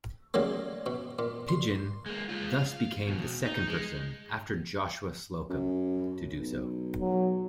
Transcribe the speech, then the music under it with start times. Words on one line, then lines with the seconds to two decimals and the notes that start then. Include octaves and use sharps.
Pidgeon thus became the second person, after Joshua Slocum, to do so.
0.34 C#3 F#3 G3 A3 A#3
0.86 B2
1.19 A#2
1.49 C6
2.06 G#3 A#3
2.29 G#3 F4
2.52 F5
3.07 E2 B2
3.44 D#4
3.67 G#3
5.50 F#2
6.39 B1
7.01 F#3